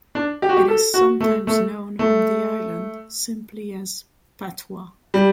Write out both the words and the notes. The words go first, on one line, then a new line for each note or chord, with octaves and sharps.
It is sometimes known on the island simply as "patois".
D4
G4
F#4
G4
A4
F#4
A3
A3
A3
G3